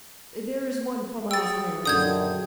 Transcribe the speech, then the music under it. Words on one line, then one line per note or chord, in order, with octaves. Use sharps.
There is one four miles higher up.
G#4 G5 E6 A6
F#2 A#2 D3 D#3 D#6 G6 G#6